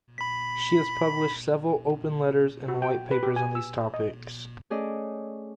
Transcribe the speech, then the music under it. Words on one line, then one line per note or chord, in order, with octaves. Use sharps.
She has published several open letters and white papers on these topics.
B5 B6
F#4
G5
B4
G4
G#5
E6
D#5
A3 C#4 G#4 A4 D5 D#5